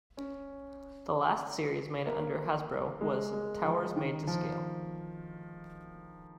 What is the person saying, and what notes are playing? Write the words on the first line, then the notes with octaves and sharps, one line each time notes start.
The last series made under Hasbro was "Towers Made to Scale".
C#4
A#3
G#3
G#3
F3
D#3
F3